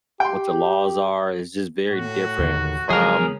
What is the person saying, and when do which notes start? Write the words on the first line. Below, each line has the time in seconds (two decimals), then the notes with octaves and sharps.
what the laws are. It's just very different from,
0.20 G4 G5 C6
1.90 A2 F#4
2.39 D#2 D3 D#3
2.90 C#3 F3 F#3 G#3 G#4 A#4